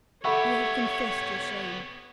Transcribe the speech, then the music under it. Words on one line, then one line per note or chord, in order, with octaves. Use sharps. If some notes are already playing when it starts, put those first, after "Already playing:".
You have confessed your shame.
B3 G4 A4 C#5 E5 F#5 B5 C#6